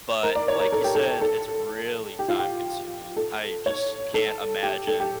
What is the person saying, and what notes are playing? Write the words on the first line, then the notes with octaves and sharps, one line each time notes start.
but, like you said, it's really time consuming. I just can't imagine
A#4
D5
C#5
A#4
A4
G4
A4
A4
G4
F4
G4
A4
C#5
A4
G4
A4
G4